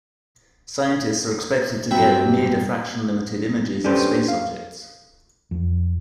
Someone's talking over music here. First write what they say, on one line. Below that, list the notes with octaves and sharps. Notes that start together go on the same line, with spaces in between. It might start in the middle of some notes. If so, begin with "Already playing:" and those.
Scientists are expected to get near diffraction-limited images of space objects.
G2 F#3 G3 C4 E5 G5 B5
C#4 D4 G4 A4 B4 C5
F5
F2